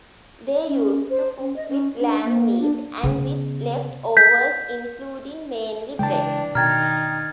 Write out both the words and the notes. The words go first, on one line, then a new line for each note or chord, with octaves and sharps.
They used to cook with lamb meat and with left overs including mainly bread.
C#4
C5
C#4
D#5
C#4
D4
A#3
D4
C#3 B3
G6 B6
C#3 E3 G#3 D4 G5 A5
B2 D#3 G5 A#5 F6 G#6 A6